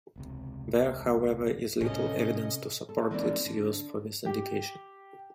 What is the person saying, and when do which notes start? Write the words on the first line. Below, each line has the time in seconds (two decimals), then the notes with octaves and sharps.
There however is little evidence to support its use for this indication.
0.16 E1 C#2 C3
1.81 A2 C3 A3 C#4 C#5 D#5
2.89 A4
3.11 E3 G#3 A#3 C4 D#4 D5
3.46 D3
4.26 G4